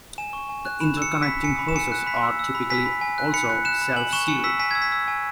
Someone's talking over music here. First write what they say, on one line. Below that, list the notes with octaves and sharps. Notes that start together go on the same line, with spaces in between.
The interconnecting hoses are typically also self-sealing.
G#5 E7
C#6
G#5
F#6
B5 E7
E6 C#7
E6
B5 B6
G#5 C#7
B5
E7
G#5 C#7
F#6
B5 B6
E6
E6
B5
G#5 B6
B5
G#5
F#6
B5 C#7
F#6
F#6 E7
B5
G#5 F#7
C#6 E7
G#5 C#7
E6 B6
G#5 B6
E6 G#6
B6
E6
G#5